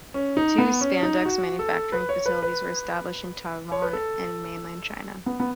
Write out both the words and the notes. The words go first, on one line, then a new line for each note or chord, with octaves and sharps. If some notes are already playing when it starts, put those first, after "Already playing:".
Two spandex manufacturing facilities were established in Taiwan and mainland China.
C#4
D#4
B3
C#4
D#4
F#4
A4
B4
C#5
B4
B4
C#5
B4
A4
B3
B3